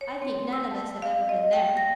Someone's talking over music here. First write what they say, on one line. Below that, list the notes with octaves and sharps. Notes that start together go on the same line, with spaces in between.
I think none of us have ever been there.'
C#5
C4
E6
A5
F5
D#5
G5
A#6